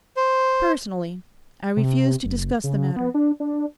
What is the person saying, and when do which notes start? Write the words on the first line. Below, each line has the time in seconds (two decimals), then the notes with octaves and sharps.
Personally, I refuse to discuss the matter.
0.16 C5
1.77 C3
2.25 F#1
2.64 C#3
2.96 B3
3.14 D4
3.40 D4